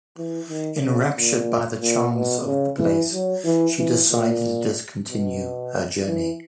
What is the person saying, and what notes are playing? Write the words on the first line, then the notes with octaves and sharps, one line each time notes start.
Enraptured by the charms of the place, she decided to discontinue her journey.
E3
D#3
C#3
A#2
A#2
B2
C#3
E3
F#3
E3
E3
A#2
B2
E3